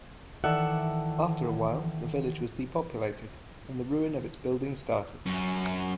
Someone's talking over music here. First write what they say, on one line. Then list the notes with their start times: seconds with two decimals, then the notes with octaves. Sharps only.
After a while, the village was depopulated and the ruin of its buildings started.
0.44 D#3 E3 A4 D5 E5 F#5
5.26 F#2 C#4